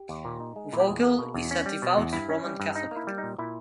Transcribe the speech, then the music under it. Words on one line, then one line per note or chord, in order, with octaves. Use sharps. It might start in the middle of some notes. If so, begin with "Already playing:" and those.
Vogel is a devout Roman Catholic.
Already playing: G4
D#2
A#2
D#4
G#3
A#2 E4
G4
E2 G#4
A#3
B2
E2
C#4
G3
B2
E2
G2 E4
C#4
G3
G2
D#4
A#3
E4
G3
D#4
A#2
A#2 E4